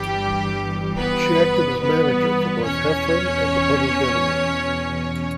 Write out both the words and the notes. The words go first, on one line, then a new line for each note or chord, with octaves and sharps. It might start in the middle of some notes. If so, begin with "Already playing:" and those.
She acted as manager for both Heffron and The Public Enemy.
Already playing: G1 G2 E3 G3 G4
B3 B4
B3 B4
E2 B2 C#4 C#5